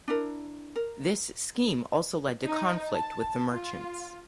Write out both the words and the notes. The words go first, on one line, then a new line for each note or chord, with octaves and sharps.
This scheme also led to conflict with the merchants.
D4 E4 A#4
A#4
D#4
A5
F4